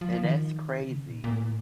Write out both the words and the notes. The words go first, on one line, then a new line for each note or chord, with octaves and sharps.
And that's crazy.
F3
F3
D#3
C3
C#3
A#2
A#2
A2